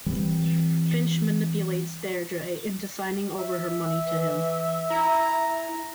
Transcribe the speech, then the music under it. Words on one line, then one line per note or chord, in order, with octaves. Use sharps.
Finch manipulates Deirdre into signing over her money to him.
E3 G3 C4
E5
E3
E4 A#5